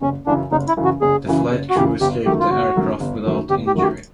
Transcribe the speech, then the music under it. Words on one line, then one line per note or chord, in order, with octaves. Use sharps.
The flight crew escaped the aircraft without injury.
F#1 C#4
F#2 C#3 E3 D4
F#1 D#4
E4
F#2 C#3 E3
F#4
F#1 G#4
F#2 C#3 E3
F#1
F#4
F#2 C#3 E3 G4
G1 G4
F#2 D#3 F#3 A3 G4
F4
G1 F#4
F#2 D#3 F#3 A3
G1
F#2 D#3 F#3 A3
G1 G4
G4
F#2 D#3 F#3 A3 F#4
G4